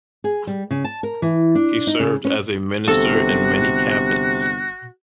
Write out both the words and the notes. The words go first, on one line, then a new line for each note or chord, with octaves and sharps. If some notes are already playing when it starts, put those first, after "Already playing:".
He served as a minister in many cabinets.
G#4
G3
C#3
A5
A#4
E3
D4
D#4
C#3
C#4
G1 C3 F#4 A4